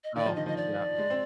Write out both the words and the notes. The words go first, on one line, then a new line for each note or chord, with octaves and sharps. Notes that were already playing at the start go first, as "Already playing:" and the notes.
Oh, yeah.
D#5
D#3 D5
F3
D#3 D#5
F3 D#5
D5
G#3
C4